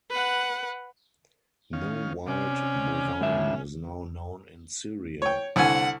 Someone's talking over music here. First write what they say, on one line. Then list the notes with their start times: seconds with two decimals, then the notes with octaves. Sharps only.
No wild bovine is now known in Syria.
0.10 B4 F#5
1.73 D#3 C#4 F5
2.28 C3 C#4 D5
3.21 G#2 D3 E5
5.22 C#5 G5
5.56 C2 D3 F#5 G#5